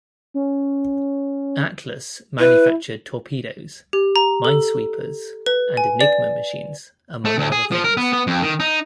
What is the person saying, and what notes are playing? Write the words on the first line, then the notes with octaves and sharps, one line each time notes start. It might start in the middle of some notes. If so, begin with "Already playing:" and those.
Atlas manufactured torpedoes, minesweepers and Enigma machines, among other things.
C#4
E4 B4
G4
A#5
A4
B4
G#5
D5
A3
D2
G#4
F3
A#4
B3
B3
F2
D#3
D#4